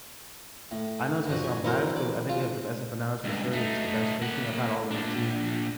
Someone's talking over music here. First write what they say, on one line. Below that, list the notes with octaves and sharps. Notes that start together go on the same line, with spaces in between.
I know it's gonna sound biased but w I think we have the best empanadas, for sure, they're just the best tasting, I've had all of them, too,
A2
G2 F3 F#4
G#5
E3 F#3 C4 A4 A#4 C5
D5
C#3 F4
C#2 G2
A3 D#4
A#3 F#5
A#2 D4